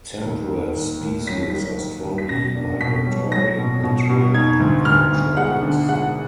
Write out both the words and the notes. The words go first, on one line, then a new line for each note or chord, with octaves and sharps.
Temperate species are strongly migratory, wintering in the tropics.
D#2
D#3
D#2
D#2
F#3 B6
F#3 B6
D#2
D#2
B6
B2 A#6
D4
B2 B6
F#3
F#3 A#6
B2
B2
B2
D#4 G#6
D2
D2 F6
D2
G#3 F#5
D3
G#3 F#5